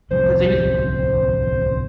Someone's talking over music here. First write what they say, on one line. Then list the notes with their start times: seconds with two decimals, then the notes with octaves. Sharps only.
'Cause he was
0.11 D1 C2 F3 C5